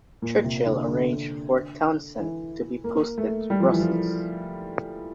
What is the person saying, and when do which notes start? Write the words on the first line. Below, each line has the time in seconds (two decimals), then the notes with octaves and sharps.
Churchill arranged for Townsend to be posted to Brussels.
0.22 A#2
0.44 C3
0.66 D3
0.88 D3
2.19 E3
2.84 A#3
3.18 A3
3.50 G3
3.60 F3
3.69 E3
3.80 F3